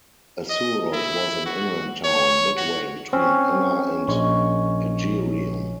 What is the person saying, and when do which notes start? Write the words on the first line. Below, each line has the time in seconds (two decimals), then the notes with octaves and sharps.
Assorus was an inland town, midway between Enna and Agyrium.
0.49 D#5
0.93 E4
1.46 F#4
2.04 C#5
2.57 F#4
3.13 C4 C#4
4.08 A#1 C#5 D#5